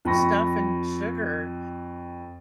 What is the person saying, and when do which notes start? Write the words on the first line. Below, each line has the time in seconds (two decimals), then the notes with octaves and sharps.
stuff and sugar.
0.05 F2 G5 B5 C#6 A#6